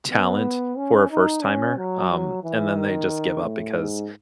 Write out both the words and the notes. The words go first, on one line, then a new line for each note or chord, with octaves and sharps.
talent for a first timer, um, and then they just give up because,
B3
C#4
D#4
C#4
F#3
F#3
E3
D#3
A2
G#2